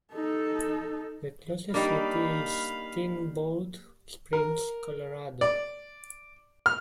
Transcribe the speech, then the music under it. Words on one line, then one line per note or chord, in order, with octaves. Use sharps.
The closest city is Steamboat Springs, Colorado.
D#4 A4
G3 A#3 D4 D#4 F5 B5
A#4
D5
F6